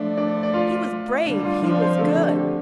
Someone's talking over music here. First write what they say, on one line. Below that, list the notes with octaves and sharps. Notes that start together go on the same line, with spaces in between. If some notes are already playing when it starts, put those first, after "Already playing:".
"He was brave, he was good!"
Already playing: F3 A3 D4 D5
D4 D5
D5
F4 F5
D3 G3 D4 D5
D5
F4 F5
F3 D4 D5
C4 C5
D3 A3 A4
G4
G4